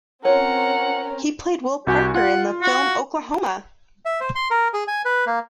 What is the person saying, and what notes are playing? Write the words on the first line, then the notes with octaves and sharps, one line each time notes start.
He played Will Parker in the film Oklahoma!
C4 C#4 F4 A#4 C#5 F#5
C2 F#4 G4 G#5
F4 F#5
F#4
E5
C5
C6
A#4
G#4
G#5
B4
A#3